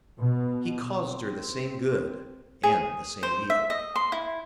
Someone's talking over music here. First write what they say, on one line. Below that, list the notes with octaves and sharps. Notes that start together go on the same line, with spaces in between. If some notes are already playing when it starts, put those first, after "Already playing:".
He caused her the same good and the same evil.
B2
C4
G#4
C5
E5
D#5
C6
E4